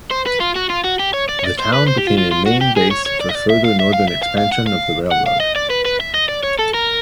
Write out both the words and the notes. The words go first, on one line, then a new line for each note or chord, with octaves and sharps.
The town became a main base for further northern expansion of the railroad.
C5
B4
F4
F#4
F4
F#4
G4
C#5
D5
C#5
D5
C5
B4
C5
G4
F4
F4
F4
F#4
G4
G#4
C#5
C#5
D5
D#5
D5
E5
F5
E5
F5
E5
F5
F5
F#5
F5
F#5
F5
D#5
D5
B4
B4
E5
D#5
D5
C#5
A4
A#4